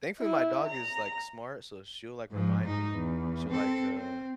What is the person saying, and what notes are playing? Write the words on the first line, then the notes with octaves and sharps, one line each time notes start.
Thankfully, my dog is, like, smart, so she'll, like, remind me. She'll, like, uh,
E4
A#5
G#2 F3
G#2 D#4
E2
C4 A4
C4